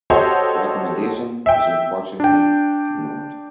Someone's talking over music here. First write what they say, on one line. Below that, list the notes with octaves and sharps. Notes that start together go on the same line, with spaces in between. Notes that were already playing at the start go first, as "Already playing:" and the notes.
The recommendation was unfortunately ignored.
F#4 G4 A4 C5 C#5 D#5
E5 G5
D4 G5